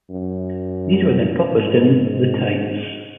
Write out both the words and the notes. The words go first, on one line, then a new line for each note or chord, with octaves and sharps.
These were then published in "The Times".
F#2
G#2